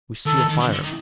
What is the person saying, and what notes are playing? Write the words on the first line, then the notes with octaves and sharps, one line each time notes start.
We see a fire.
D#3 A4
D#3
D#3
D3
D3
D#3